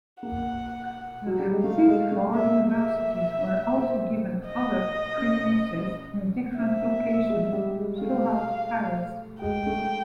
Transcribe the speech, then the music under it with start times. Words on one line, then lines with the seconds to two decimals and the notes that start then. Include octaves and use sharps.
These four universities were also given other premises in different locations throughout Paris.
0.22 A#3 F#5
1.26 F#3
1.39 G3
1.51 G#3
1.64 A3 F5
1.88 G#3
2.12 A3
2.35 A#3 E5
2.70 E5
3.76 C4
4.47 D#5
5.17 C#4
6.59 C4 E5
6.82 B3
7.06 A#3
7.30 G#3
7.53 G3
7.77 G#3
8.01 A3 F5
9.42 G#3 G5
9.66 A3